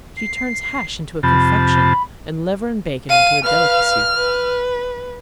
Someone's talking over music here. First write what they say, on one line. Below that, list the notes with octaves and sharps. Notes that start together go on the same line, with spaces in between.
She turns hash into a confection and liver and bacon into a delicacy.
C7
F2 C3 A5 B5
F5 D#7
B4 F5 F6
B4